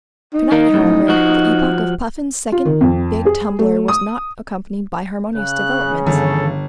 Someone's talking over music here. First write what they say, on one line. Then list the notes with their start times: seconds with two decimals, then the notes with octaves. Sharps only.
To-night, however, the epoch of Puffin's second big tumbler was not accompanied by harmonious developments.
0.34 D#4
0.52 D#3 A#3
0.73 F#2 A2
1.08 F3 F#4
2.52 F4
2.65 D#3
2.81 F2
3.25 G#4
3.59 A3
3.88 D#6
5.35 C#3 F#6
6.07 G1 D#3 E3 A4